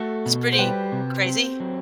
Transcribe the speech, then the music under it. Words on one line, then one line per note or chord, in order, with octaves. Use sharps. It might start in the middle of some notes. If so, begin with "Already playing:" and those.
It's pretty crazy?
Already playing: A3 F#4 A4
B2
C5
G3 G4 B4
C3
C4
F#3